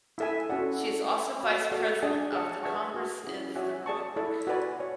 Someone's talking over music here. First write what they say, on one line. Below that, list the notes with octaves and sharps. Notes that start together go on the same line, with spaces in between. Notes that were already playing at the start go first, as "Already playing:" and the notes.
She is also Vice President of the Congress of the Republic.
E4 A4 E5 G#5
C#4 F#4 A4 D5 F#5
E4 A4 D5
B4 E5 B5
F#4 C#5 E5 B5
F#4 A4 D5 F#5
D4 G#4 D5 G#5
G#4 D5 F#5 A5
G#4 B4 E5 A5 C#6
F#4 B4 F#5
C#4 E4 G#4
F#4 C#5 E5 G#5
G#4 D5 A5 C#6
E4 A4 D5
F#4 B4 D5 G#5 B5
C#5 F#5